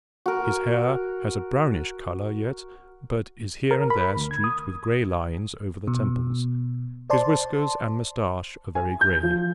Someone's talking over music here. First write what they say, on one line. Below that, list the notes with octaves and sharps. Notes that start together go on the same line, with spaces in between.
His hair has a brownish colour yet, but is here and there streaked with grey lines over the temples; his whiskers and moustache are very grey.
F#4 A#4
A#4
B5
D2
G#6
D#6
B2
C5 D5 A5 C6
G#5
G6
F3